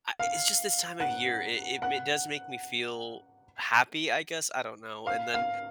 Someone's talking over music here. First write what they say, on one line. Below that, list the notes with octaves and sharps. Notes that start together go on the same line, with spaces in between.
a it's just this time of year. It it m does make me feel happy, I guess. I don't know. And then
F5
F#5
F#5
F5
F5